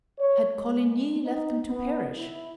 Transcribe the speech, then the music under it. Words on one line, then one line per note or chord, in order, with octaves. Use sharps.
Had Coligny left them to perish?
C#5
G#3
D#4
B3
E4